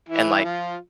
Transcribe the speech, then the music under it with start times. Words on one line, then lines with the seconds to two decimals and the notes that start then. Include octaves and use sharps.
and, like,
0.08 E3 E4
0.39 E4
0.44 F3 F4